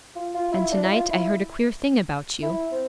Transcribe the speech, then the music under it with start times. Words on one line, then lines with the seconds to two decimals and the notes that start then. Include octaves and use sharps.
'And to-night I heard a queer thing about you.'
0.16 F4
0.34 F4
0.52 E4
0.71 D4
0.84 E4
0.91 F4
1.10 E4
2.42 E4
2.72 C4